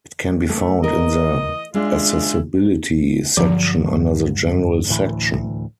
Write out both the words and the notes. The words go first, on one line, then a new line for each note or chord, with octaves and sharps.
It can be found in the Accessibility section under the General section.
A3
E3 A#4 D#5
G#3 C#4 D4 E4 F4
G2 D3 F3 F#3
D2 A2 E3